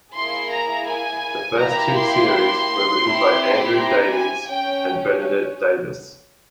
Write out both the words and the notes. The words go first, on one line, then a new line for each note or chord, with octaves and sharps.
The first two series were written by Andrew Davies and Bernadette Davis.
A#3 E4 G#4 C6
A#5
G#5
A#3 E4 G4 A#5
C6
C4 E4 G4
A#5
G#5
C#4 G5